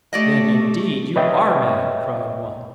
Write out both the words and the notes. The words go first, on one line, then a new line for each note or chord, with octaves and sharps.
"Then indeed you are mad," cried one.
A3 G4 D5 D#5
B4 C#5 D#5 E5 G5